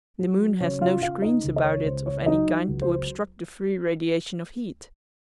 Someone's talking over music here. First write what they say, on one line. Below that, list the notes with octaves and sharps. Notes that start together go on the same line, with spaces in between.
The moon has no screens about it of any kind to obstruct the free radiation of heat.
F#3
C#3 C#5
F4 F5
C#3 F4 F5
D#4 D#5
C#2
D#5
C#5
C#2 C5
C#5
F#3 D#4 D#5
C#2
C5